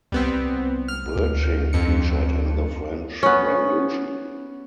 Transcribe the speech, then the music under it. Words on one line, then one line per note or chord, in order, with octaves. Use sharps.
Birching featured in the French Revolution.
C2 G3 B3 C4
F6
D2
F2 C#7
B3 C#4